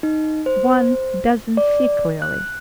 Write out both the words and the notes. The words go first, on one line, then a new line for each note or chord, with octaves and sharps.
One doesn't see clearly.
D#4
C5
D5
F#6